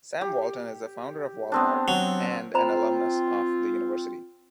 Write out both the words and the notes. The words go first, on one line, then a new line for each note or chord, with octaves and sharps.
Sam Walton is the founder of Wal-Mart and an alumnus of the University.
G4
B3 C4 D4
F#3
C4 F4 C5 A#5 B5